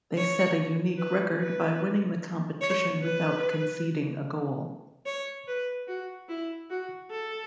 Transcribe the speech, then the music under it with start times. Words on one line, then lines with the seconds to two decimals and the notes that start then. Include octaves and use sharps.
They set a unique record by winning the competition without conceding a goal.
0.17 C#5
0.98 B4
1.39 B4
2.61 C#5
3.02 B4
5.06 C#5
5.47 B4
5.87 F#4
6.29 E4
6.70 F#4
7.11 A4